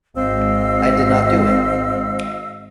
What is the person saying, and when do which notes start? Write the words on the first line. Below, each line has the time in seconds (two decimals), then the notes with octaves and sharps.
I did not do it.
0.16 G#1 C4 D#5 F5 E6